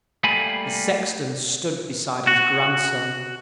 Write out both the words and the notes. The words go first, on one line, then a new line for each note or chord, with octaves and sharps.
The sexton stood beside his grandson.
G3 A3 A#3 F4 G#5 B5
F#4